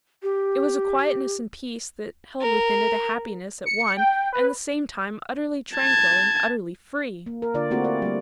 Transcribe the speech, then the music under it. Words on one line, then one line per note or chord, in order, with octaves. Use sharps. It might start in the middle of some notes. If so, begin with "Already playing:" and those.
It was a quietness and peace that held within it a happiness at one and the same time utterly tranquil and utterly free.
G4
A#4
C#7
G5
B4
A5 G#6
A#3
A#4
D3 F4 D5
A3 A#3 C4 E4 F#4 G4
D5
G3 A#3